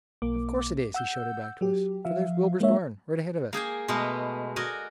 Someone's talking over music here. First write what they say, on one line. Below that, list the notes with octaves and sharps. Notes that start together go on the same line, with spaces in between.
"Of course it is!" he shouted back to us, "for there's Wilbur's barn--right ahead of us!"
B1 A#3 D6
F#5 E6 G6
F#3 G4
F3 E5 F5
G#3 A#3 D4 C#5 E5
A#3 G#4 G5 G#5
B2 G#3 A3 B3 A#4
F#4 A#4 D5 D#5 G#5